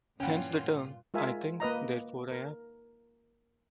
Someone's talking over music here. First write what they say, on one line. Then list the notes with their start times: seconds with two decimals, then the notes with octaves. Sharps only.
Hence the term I think, therefore I am.
0.20 G2 A#2 E3 C#4 F4 F#5 G5
1.14 G#3 F4 A#4 E5 G#5
1.60 A#3 B4 D#5 A#5
2.32 A#4